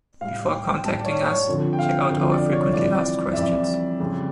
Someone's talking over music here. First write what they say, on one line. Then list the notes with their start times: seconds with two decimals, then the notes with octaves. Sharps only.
Before contacting us, check out our frequently asked questions.
0.21 A2 G3 F5
0.53 G5
0.84 A2 G3 A5
1.00 D5
1.05 C#5
1.26 C#5
1.47 F2 D3 F3
1.73 G5
1.79 F5
2.10 F2 D3 F3
2.32 D5
2.52 C#5
2.73 F2 E3 G3 D5
2.95 D5
3.33 E5
3.37 F2 E3 G3 D5
4.00 F2 C#3 G3